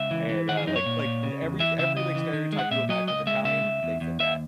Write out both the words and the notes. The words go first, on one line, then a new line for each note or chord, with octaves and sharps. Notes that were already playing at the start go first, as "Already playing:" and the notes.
And, uh, like like every every like stereotype you imagine of Italian, they fit that.
Already playing: C#2 E5
E3
E3
D#3 F#5
G#4
F#2 D#4
C#5
A#2
A#2
C#3
E2
E3 E5
C#3 E5
E3 D#5
E3
D#3
G#3
F#5
A#2 E5
F#3 D#5
C#2 D#5
G#3 E5
C#3 E5
C#2
E2
E2
D#2 E5